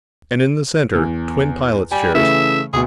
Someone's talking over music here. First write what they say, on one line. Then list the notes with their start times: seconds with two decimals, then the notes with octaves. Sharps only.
And in the center, twin pilot's chairs.
0.95 E2
1.92 G3 G#5
2.15 C#3 E3 A3 E5
2.73 D2 B2 G#4